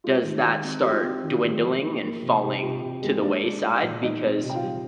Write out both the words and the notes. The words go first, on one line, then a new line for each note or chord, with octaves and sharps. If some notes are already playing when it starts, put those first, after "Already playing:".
does that start dwindling and falling to the wayside because
G#3 F4
D#3
G#3
C4
G#3 G4
F4
C4 G4
F4
D#3
F4
G4
G#3
F3
A#3
A#3
C3
C3 G4
C3 F4
C3 G4
G#3 A#3 G#4
G#3 D4 D5
G#3
G#3
A#2
G3 D#4 D#5
C4
C3
G5
F4 F5
G3